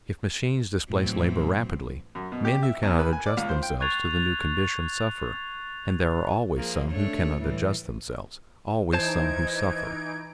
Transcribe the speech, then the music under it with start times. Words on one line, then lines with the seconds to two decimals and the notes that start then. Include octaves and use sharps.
If machines displace labor rapidly, men who cannot adjust themselves to the new conditions suffer, and there are always some who cannot adjust themselves, always some who suffer.
0.90 A2 E3 F#3 C4
2.15 F#2
2.32 B2
2.45 G4
2.63 E5
2.83 E2
2.99 B4
3.13 G#5
3.26 D5
3.37 C#2
3.49 C5
3.63 G5
3.80 C#6 F#6 G#6 A6 C7 F7
6.57 F3 A#3 G#4
6.91 A3 D4 C#5
7.39 A2 E3 G3
8.93 E3 D#4 C5 A5 G#6 D7